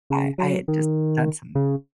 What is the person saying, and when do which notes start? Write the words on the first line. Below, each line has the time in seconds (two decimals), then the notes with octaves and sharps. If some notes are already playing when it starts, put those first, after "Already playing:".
I I had just done some
0.10 C#3
0.38 F#3
0.68 D#3
1.55 C#3